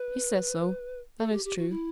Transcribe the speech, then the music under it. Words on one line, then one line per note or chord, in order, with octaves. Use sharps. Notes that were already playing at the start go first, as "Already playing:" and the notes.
"He says so, that is true."
Already playing: B4
A4
G4
G4
F#4
E4